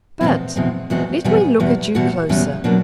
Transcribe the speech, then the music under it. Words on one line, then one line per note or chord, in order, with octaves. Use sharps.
But let me look at you closer.
E2 B2 G#3 C4
E2 B2 G#3 C4
E2 B2 G#3 C4 F#4
E2 B2 G3 B3 G#4
E2 B2 G3 B3
E2 B2 G3 B3 F#4
E2 B2 G3 B3 C#4
B2 F#3 A#3 D4